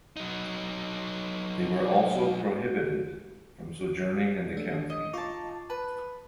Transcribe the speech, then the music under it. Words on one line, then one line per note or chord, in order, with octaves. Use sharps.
They were also prohibited from sojourning in the county.
F#3 D#4
A3 D4
D#5
D#4 F4 A5 C#6 D6
B4 A5